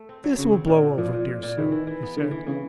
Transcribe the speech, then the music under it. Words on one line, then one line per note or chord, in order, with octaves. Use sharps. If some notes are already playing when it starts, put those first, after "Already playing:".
"This will blow over, dear Sue," he said.
Already playing: A3
C4
F#3
C#3 F#3
C4
A#2
C4
A#2 F3
A#2
A#2
A#2
D#3 E3
E3
E3
B3
D3 E3
E3
C#3 E3